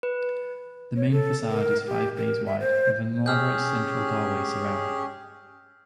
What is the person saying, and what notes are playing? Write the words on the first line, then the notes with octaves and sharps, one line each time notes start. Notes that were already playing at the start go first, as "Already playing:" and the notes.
The main facade is five bays wide, with an elaborate central doorway surround.
B4
C#5
A4
A#4
G4
A#4
E5
C5
C#4 G4 G#4 E6 F6 G6